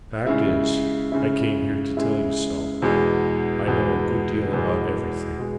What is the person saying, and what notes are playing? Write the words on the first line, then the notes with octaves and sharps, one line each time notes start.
"The fact is--I came here to tell you so!--I know a good deal about everything."
C#3 G#3 E4
C#3 G#3 E4
C#3 G#3 E4
E2 B2 G#3
E2 B2 G#3
E2 B2 G#3
B2 G#3